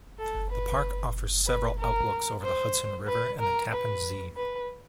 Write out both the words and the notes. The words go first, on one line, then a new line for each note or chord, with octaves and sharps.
The park offers several outlooks over the Hudson River and the Tappan Zee.
A4
B4
B4
A#4
C5
B4
A#4
B4
B4